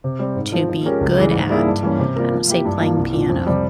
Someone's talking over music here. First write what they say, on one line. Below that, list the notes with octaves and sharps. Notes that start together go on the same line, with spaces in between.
to be good at, I don't say playing piano,
C3
G3 C4
G#2
F3 C4
F3
G#3 C#4 G4 A#4
C#2
C#3 E3 G3
G#2
G3 A#3 E4 G#4
G2
E3 G3 A#3 C#4
C3
G3 A#3 F4 A#4
F3
A#3 E4 G4
G2
F3 A#3
C2
A#2 F3
F2
C3 G3